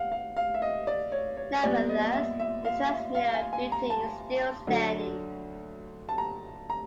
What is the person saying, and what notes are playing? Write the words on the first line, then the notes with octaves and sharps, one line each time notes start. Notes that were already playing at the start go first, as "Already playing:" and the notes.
Nevertheless, the transmitter building is still standing.
Already playing: F5 F#5
F5
F5
E5
D#5
D5
C#5
C#5
A#2 G3 B3 D5
D#5
E5
E5
F5
E5
F5
G#5
G#5
A#5
A5
D2 D3 F#3
A5
A#5
A#5